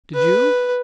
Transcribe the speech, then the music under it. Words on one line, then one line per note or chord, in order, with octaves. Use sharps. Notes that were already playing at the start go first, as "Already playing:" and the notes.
Did you?
B4